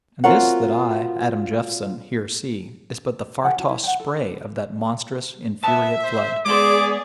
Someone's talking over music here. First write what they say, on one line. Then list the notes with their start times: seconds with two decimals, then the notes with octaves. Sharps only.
And this that I, Adam Jeffson, here see is but the far-tossed spray of that monstrous, infuriate flood.'
0.24 C4 F4 F#4 A#4 C#5 F#5
3.43 G4 A4 F#5 G#5
3.57 C#4 F#4
3.68 E4
3.83 F#5 G5
4.00 A4
5.64 B3 E5 A5
6.04 C5
6.46 G#3 B3 G#4 C5 D5 D6